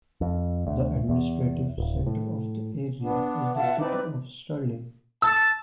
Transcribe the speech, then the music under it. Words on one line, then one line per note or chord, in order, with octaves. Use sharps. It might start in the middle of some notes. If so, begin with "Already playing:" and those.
The administrative centre of the area is the city of Stirling.
F2
D2
E2
D1
A2
B3 D4
B2 F4 E5 F#5 A5
C4 D#4 E4 B4 D5
A5 E6